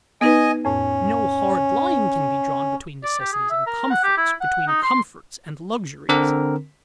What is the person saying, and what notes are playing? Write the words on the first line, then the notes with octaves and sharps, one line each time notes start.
No hard line can be drawn between necessities and comforts, between comforts and luxuries.
B3 D#4 B4 D#5 G#5
F2 A2 C#4
D5
G4
G#4
E5
A#4
F#5
G4
E4
F#5
D#4
C6
D3 C4 A#4